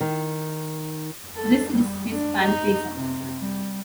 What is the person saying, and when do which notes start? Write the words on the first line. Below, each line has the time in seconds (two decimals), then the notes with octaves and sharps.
This is his Pantheism.
0.01 D#3
1.36 A4
1.71 G3
2.11 D4
2.42 D#4
2.95 C3
3.37 G3